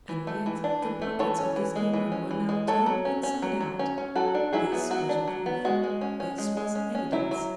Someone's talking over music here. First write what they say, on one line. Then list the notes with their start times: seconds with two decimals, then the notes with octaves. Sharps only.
And yet the pockets of this apron were now turned inside out; this was a proof, this was evidence.
0.09 E3
0.27 A3
0.46 E3
0.64 D4
0.82 E3
1.02 A3
1.19 E3 A4 C#5
1.39 C#4
1.56 E3
1.76 G#3
1.93 E3
2.12 C#4
2.31 E3
2.49 G#3
2.68 F#3 A4 C#5
2.86 F#3
3.05 C#4
3.23 C#4
3.42 F#3
3.60 F#3
3.79 C#4
3.98 C#4
4.15 F#3 F#4 A4
4.34 D4
4.53 F#3 E4 G#4
4.72 B3
4.91 F#3 F#4
5.09 D4
5.28 F#3
5.46 B3
5.65 G#3 F#4
5.84 G#3
6.01 C#4
6.20 C#4
6.38 G#3
6.57 G#3
6.75 C#4
6.95 C#4
7.12 F#3 E4
7.31 F#3